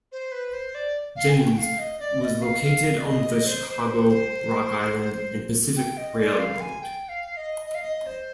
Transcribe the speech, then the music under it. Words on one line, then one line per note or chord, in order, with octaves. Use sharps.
Jennings was located on the Chicago, Rock Island and Pacific Railroad.
C5
B4
C5
D5
F5
G#5
G5
F5
D#5
D5
D#5
F5
F5
D5
D#5
C5
C5
B4
C5
C5
C5
G5
D#5
D5
F5
G#5
G5
F5
D#5
D#5
F5
D#5
C5